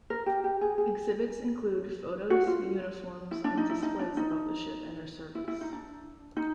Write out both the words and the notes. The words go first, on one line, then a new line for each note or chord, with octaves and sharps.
Exhibits include photos, uniforms, and displays about the ship and her service.
A#4
G4
G4
G#4
G#4
F#4
F4
E4
D4
D#4
E4
D#4
D4
D#4
E4
E4
D#4
D4
D#4